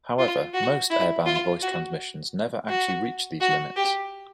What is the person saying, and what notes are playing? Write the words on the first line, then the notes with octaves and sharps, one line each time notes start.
However, most airband voice transmissions never actually reach these limits.
F4
F#4
E4
F4
F#4
F#4
F#4
G4